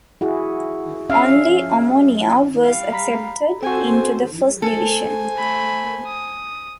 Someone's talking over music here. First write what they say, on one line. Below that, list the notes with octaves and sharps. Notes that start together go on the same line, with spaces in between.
Only Omonia was accepted into the First Division.
E4 F#4 G#4
C#4 E5 F5
G3 F5
A#5 B5 B6
C4 F#4 A4 C5 G#5
A4 C5 G#5
A3 B5
D#6